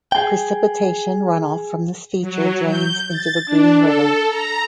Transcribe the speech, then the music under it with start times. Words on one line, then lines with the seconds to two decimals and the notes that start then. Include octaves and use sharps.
Precipitation runoff from this feature drains into the Green River.
0.12 G#4 G5
2.21 F#3
2.66 G6
3.09 A6
3.46 D4
3.79 A4
4.28 A#5